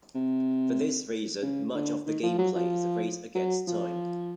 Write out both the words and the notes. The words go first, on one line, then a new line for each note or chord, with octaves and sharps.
For this reason, much of the gameplay is a race-against-time.
C3
C#3
D3
D#3
F3
F#3
F3
F#3
F3